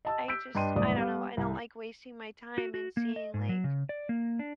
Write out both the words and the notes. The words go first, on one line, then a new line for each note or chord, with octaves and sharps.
I just I don't know. I don't like wasting my time and seeing, like
D#5 A5 E6
E6 G6 B6 D7
G2 D4 D#5 G5 C6 D#7
F#1 C2 A2 D5 D#6
G3 B3 F5
C2
F#4
F#4
A#3
D#5
G#2
F#3
C#3
D5
A#3
D4